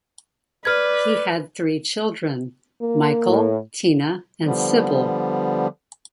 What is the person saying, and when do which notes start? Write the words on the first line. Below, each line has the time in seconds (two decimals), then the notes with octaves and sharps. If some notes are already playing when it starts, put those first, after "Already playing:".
He had three children; Michael, Tina and Sybil.
0.65 B4 D5 F6 G#6
2.82 A#3
3.28 A2
4.42 D3 F3 G3 B3